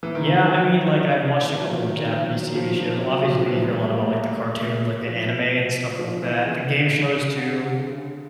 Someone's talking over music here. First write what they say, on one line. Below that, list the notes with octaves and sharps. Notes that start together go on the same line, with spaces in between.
Yeah, I mean, like, I've watched a couple of Japanese TV shows, obviously, you hear a lot about like the cartoons, like, the anime and stuff like that, the game shows too.
E3
D#3
E3
E3
F#3
F3
D#3
F3
F#3
F3
F3
F#3
F3
F3
E3
G#3
G3
A#3
A3
G#3
A3
F3
F3
E3
C#3
C#3
D3
D3
C#3